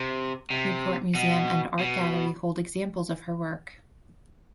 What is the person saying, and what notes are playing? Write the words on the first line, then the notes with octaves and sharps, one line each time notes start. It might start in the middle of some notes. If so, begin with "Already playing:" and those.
Newport Museum and Art Gallery hold examples of her work.
Already playing: C3
C3
B2
B2